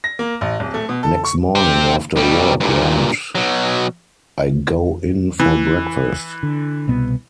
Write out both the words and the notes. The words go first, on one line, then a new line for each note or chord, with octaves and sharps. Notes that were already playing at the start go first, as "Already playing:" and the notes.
Next morning after a walk round I go in for breakfast.
A#6
A#3
A1
D1
A3
B2
A4
C#6
G4 C5
B2 G3
G2 A#2
B2 F#3
E3
D3
C2 B2 B3